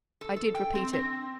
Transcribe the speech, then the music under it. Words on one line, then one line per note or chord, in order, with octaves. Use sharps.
I did repeat it.
A4
A4
G5
C4
C4